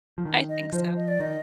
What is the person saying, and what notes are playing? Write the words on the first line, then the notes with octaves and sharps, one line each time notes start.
I think so.
F3
D#3
D#5
F3 C5
D#5
D5
D#3 D#5